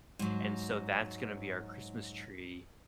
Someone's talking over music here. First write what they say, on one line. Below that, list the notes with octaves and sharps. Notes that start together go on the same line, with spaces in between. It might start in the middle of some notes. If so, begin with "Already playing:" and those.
and so that's gonna be our Christmas tree,
G#2 F#3